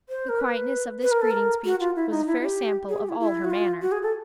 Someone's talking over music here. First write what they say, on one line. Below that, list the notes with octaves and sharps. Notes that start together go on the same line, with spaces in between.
The quietness of this greeting speech was a fair sample of all her manner.
C5
A#4
B4
B4
A#4
A4
A#4
F#4
F4
E4
D#4
E4
G4
G#4
G4
E4
E4
F#4
F4
F#4
G#4
A4